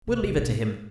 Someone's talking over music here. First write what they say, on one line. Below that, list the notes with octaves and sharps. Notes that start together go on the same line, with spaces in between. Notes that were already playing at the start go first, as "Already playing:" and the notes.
We'll leave it to him.
C3
C3
B2